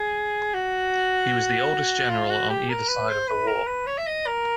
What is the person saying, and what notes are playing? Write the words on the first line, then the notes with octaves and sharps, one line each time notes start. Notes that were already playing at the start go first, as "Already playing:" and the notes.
He was the oldest general on either side of the war.
Already playing: G#4
F#4
F4
F#4
G4
A#4
B4
C5
B4
A#4
B4
C#5
E5
D#5
A#4